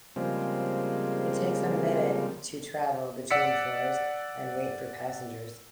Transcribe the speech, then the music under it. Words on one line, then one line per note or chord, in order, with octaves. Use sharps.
It takes a minute to travel between floors and wait for passengers.
C#3 F3 G3 G#3 A#3 C4
D5 F#5 E6 B6 C#7